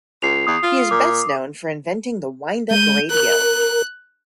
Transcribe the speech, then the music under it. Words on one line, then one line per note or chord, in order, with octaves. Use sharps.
He is best known for inventing the wind-up radio.
C#2 C7 F7
E2 D#6
F4
A#2 D6
G#3 G6 D#7
A#4 F#6